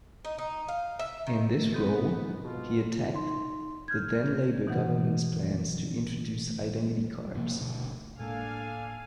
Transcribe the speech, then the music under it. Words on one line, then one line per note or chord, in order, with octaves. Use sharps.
In this role, he attacked the then Labour government's plans to introduce identity cards.
D#4
D#4
F5
E5
D#3
G#2 B3 C4 G4 A4
B2 F4
D#4 C6
F6 G6 G#6
B2 D#3 E3 F#4 F#5 G6
G#2 C3 F3 A#3
D2 B2
A2 G#3 A#3 D4 A4 F5 G#5